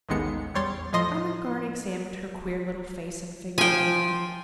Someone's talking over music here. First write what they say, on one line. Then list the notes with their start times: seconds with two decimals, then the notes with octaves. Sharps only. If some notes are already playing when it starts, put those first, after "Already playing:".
Ermengarde examined her queer little face and figure again.
0.09 A1 D#2 D#3 G#3 B3 C#7
0.54 E2 G3 C#5 C6 A6
0.93 A2 F3 D#5 C6 D#6
3.58 F3 G5 G#5